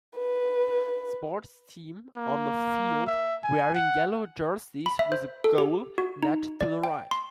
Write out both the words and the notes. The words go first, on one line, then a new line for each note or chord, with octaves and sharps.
Sports team on a field wearing yellow jerseys with a goal net to the right.
B4
A#3
E5
G#5
F#5
B5
E5
C5
A4
G4
F#4
D#4
D5
G5
C6